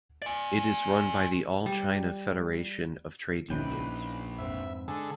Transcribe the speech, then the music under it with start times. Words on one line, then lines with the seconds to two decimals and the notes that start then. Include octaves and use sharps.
It is run by the All-China Federation of Trade Unions.
0.22 D5 G#5
1.66 G3
3.50 A#1 C#4 D#4 E4 B4 G5
4.38 F2 G#2 C4 E5
4.88 D3 G#3 G#4 A4